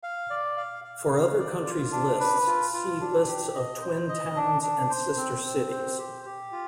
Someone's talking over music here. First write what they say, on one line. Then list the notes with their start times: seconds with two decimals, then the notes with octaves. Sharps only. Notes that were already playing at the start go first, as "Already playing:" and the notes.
For other countries' lists see lists of twin towns and sister cities.
0.03 F5
0.30 D5
0.57 F5
0.84 F5
1.12 F5
1.39 D5
1.66 F4
1.92 D4
2.20 B4
2.47 F4
2.74 F4
3.01 D4
3.27 G4
3.54 D#5
3.81 C5
4.09 D#5
4.36 D4
4.62 D4
4.90 C5
5.17 C4
5.44 C4
5.71 C5
5.98 G4
6.25 G4
6.52 F4